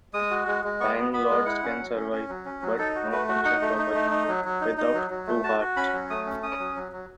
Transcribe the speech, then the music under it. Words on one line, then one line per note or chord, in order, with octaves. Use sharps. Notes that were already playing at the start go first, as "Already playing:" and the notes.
Time Lords can survive, but not function properly, without two hearts.
G#3 D#6
F#4
G#3
G#3
B3 C#6
B3
B3 B5
G#3
E4 F#5
C#4
F#3
C#4
C#4
F#3
C#4
F#3
D#4 A4
F#4
A3 B4
F#4
D#4 F#5
A3
D#4
A3
D#4
F#3
F#3
D#4
D#4
F#3
F#3
A3
F#4 A5
F#4
C#4 B5
F#3
A3 D#6
C#4
C#4 D#6
F#3
F#3
F#3